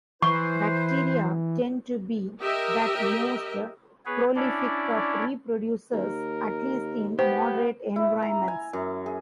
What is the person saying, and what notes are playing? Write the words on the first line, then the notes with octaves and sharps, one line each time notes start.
Bacteria tend to be the most prolific reproducers, at least in moderate environments.
E3 E4 B4 C5 C#6
G4 A#4 D#5 E5
B3 G#4 B4 C#5
C#4 D4 E4 C#5 D5
D#2 A#4
B3 G4 C5
E4
A#5
G#5
F#2
G#4